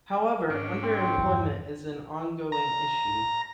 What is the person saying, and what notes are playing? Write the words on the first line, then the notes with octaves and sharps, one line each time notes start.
However, underemployment is an ongoing issue.
G#2 C#4 D4
C4
E2 G2
A#5